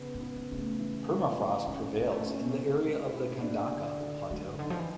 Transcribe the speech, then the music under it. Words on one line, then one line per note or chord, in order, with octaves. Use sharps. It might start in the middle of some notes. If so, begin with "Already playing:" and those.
Permafrost prevails in the area of the Kondakov Plateau.
Already playing: C#3 B3
G#3
B3
G#3
C#3 G#3
A3
E3
E3
E3
G#3 C#4
G#3 C#4
A3
C#4
C4
G#3
E4
D4
D3
D3
F#3 G#3
C#3
D3 D#4
F3
E3